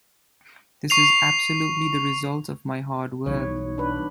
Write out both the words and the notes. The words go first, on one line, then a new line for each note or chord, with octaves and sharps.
This is absolutely the result of my hard work.
C#6 C7 F7
B1 E3 G3 B3 D#4 F#4 C#5
D4 B4